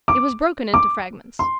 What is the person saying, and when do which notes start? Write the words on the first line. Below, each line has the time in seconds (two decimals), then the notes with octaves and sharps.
It was broken into fragments.
0.08 D6
0.74 D6
1.39 C6